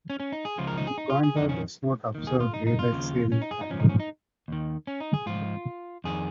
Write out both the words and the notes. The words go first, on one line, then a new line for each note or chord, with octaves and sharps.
Uganda does not observe daylight saving time.
C#4
C#4
D#4
G#4
C#2 C#3 F3 F4
A#4
D#4
G#4
D#4
F4
G#4
F2 D#3 D#4
C#4
D#2 D#3
G#4
F4
D#4
D#4
F4
D#2 C#3 F3
C#4
D#4
G#4
D#4
G#2 F3 C#4
D#4
C#4
D#4
D#2 D#3
C#4
D#4
G#4
G#2 F3 F4
F2 D#3 G#4